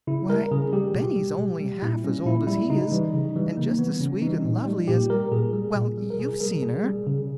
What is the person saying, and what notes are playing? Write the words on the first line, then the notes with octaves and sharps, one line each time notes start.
Why, Benny's only half as old as he is, and just as sweet and lovely as--well, you've seen her.
C#3 E4
G3 A#4
C#3 G#4
G3 G4
B2
G3
B2
G3
A#2 E4
G3 C#4
A#2 E4
G3 E4
C#3 D#4
E3 G3
C#3
E3 G3
C#3 A#3
E3 G3 B3
C#3 C#4
E3 G3 D#4
A#2
G3
A#2 G4
G3 A#4
A#2 G#4
G3
A#2
G3
A#4
B2 G#4
G3 A#4
B2 G#4
G3
C#3